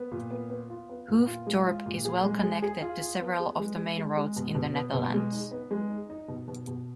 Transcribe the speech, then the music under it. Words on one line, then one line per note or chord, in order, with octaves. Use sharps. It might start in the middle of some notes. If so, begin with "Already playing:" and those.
Hoofddorp is well connected to several of the main roads in the Netherlands.
Already playing: B3
A#2
B3
B3
F4
B3
A#2
F4
G#3
F4
A#2
G#4
G#3
G#4
G#4
F4
F4
B3
G#4
G#3
G#4
G#3
G#3
B2
B2
B3
B2
G#3
D#4
B3
G#3
D#4
D#4
B2
B2
B2